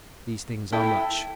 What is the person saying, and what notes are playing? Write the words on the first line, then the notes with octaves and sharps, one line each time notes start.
These things are much.
E4 A4 E5 G5